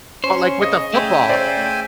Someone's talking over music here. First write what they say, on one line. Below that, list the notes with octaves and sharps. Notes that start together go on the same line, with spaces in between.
But like with the football
C#4 C5 C#6
C#3 D#5
C#3 A3 E5 G5 G#5
C5 D5